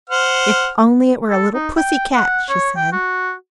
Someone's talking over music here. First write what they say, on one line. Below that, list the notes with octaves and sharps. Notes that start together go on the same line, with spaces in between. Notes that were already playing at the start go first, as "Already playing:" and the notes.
'If only it were a little pussy cat!' she said.
C5 F#5 F6
A4
D#4
G5
F#5
C#5
G5
F#4